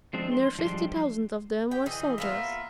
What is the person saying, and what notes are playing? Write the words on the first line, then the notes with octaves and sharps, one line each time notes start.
Near fifty thousand of them were soldiers.
F3 G#3 C4 D4
C6
F3 G3 G#3 D4 C6
G4 G5
E3 G#4 D#5
A#3 B3 F4 E5